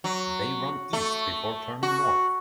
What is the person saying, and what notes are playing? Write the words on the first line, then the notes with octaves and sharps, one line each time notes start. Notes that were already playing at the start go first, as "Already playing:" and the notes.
They run east before turning north.
F#3
A3
F#4